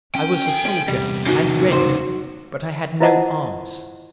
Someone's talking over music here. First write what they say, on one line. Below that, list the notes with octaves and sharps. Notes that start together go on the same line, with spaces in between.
I was a soldier, and ready, but I had no arms.
C#4 G5
A4 G#5
C#4
E2 C3 G3
C#3 C#4 D#4 F#4
F#3 F#4 C5
E4 F4 C5 D#5 F#5 A5